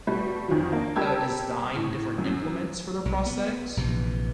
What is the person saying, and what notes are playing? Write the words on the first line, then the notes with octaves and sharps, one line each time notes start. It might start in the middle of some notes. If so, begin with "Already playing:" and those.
uh, design different implements for their prosthetics
B2 G3 A3
F2 D#3 F3 F#3
A#3 D4
G3 G4 A#4 A5 E6 G#6
A2
F#2
B1
B3
A#1 C3 E3